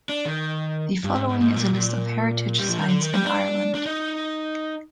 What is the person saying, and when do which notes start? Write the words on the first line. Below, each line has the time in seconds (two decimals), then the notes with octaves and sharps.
The following is a list of heritage sites in Ireland.
0.09 D4
0.25 D#3
1.04 G2
1.15 G#2
1.29 G#2
1.41 G#2
1.56 A#2
1.74 A#2
2.59 G3
2.69 F3
2.78 D#3
2.89 D3
3.01 D#3
3.13 G3
3.24 D4
3.75 D4
3.86 D#4